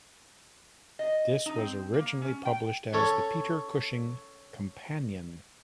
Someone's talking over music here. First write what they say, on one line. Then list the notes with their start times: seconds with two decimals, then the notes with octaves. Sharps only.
This was originally published as "The Peter Cushing Companion".
0.99 D#5
1.46 D#4
1.58 C4
1.94 A#3
2.22 C#4
2.45 G5
2.93 C#4 A4 C#5